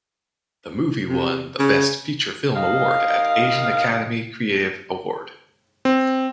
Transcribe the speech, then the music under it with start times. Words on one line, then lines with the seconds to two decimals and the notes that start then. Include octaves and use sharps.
The movie won the Best Feature Film Award at Asian Academy Creative Award.
1.08 C3
1.59 C#3
2.56 D#2 D#5 F5
5.85 C4